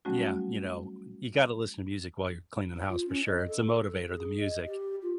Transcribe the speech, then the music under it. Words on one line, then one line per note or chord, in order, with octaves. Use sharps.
Yeah, you know, you gotta listen to music while you're cleaning the house for sure, it's a motivator, the music.
F#3 G3 A3 C#4 D#4 F#4
F4
C#4
D#5
A4
G#4
D#5
G4
F4